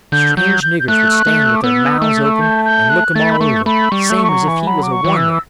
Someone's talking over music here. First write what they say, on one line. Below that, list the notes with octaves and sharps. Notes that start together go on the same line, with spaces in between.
Strange niggers would stand with their mouths open and look him all over, same as if he was a wonder.
D3 G6
F#3 G6
G6
G6
A3 F#6
A3
D6
B3 E6
A3
G6
G6
F#6
A3 A6
B5
A3 C#6
A3 B5
G3 C#6
A3
F#3
E3
F#3 B5
D6
C#6
E3
E6